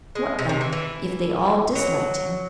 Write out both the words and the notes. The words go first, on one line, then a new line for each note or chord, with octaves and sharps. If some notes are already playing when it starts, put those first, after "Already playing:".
"What, then, if they all disliked him?"
G#3
C3
C3
E3
E3
F#3